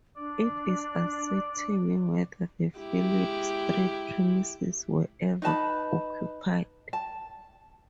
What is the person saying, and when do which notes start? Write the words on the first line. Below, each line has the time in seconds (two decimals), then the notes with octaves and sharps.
It is uncertain whether the Phillip Street premises were ever occupied.
0.17 D4 D5
2.79 G#3 E4 G4
5.42 D#4 B4 A5 B5
6.93 A5